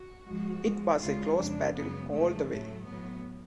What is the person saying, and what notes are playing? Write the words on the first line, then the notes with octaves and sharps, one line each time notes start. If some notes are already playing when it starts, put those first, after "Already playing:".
It was a close battle all the way.
Already playing: F#4
G#2 F3 G#3
G#2 F3 G#3
D2 C#3 G#3 F4
F2 C#3 F3 G#3 D4
F#2 C#3 G#3 B3
F2 C#3 G#3 A3
A2 F#3 A3
A2 F#3 B3